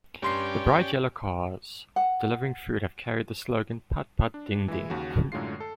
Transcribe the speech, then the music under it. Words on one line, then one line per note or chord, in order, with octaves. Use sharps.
The bright yellow cars delivering food have carried the slogan "Putt-Putt Ding-Ding".
G2 C#4 G4 D5 C6 C7
F#5
D4
E3 G#3 E4
D#2 C#3 F#4
F#2 A2 D3 G#3 F4 C7
A4